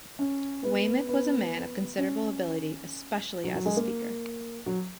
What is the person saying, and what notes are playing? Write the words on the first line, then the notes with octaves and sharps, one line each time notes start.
Weymouth was a man of considerable ability, especially as a speaker.
C#4
B3
B3
C#4
F#3
F#3
G#3
A#3
F#3